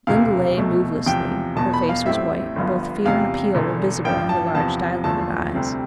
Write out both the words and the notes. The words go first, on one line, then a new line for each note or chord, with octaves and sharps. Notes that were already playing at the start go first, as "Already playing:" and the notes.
Lynde lay movelessly; her face was white, and both fear and appeal were visible in her large dilated eyes.
E1 D2 C3 F5
C2 B2 A3
E2 C3 F3 G5
E1 E2 B2 A5
B5
F5
A1 A2 G3 C4 E5
G1 G2 F3 B3
E2 C3 G3 F5
E1 E2 D3
A1 G2 F3 G5
A5
E2 C3 F3 B3 A5
E2 D3 F3 A3 A5
D2 C3 G3 C4